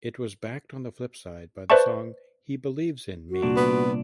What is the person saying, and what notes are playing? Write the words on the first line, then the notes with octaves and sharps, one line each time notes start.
It was backed on the flip side by the song "He Believes in Me".
B4 C5 D5 E5 A5 C#6
F#4
C2 A#2 D4
B3